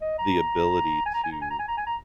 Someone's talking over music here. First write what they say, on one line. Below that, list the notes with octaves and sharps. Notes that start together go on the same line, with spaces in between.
the ability to
D#5
A#5
G#5
A#5
G#5
A#5
G#5
A#5
G#5
A#5
G#5
A#5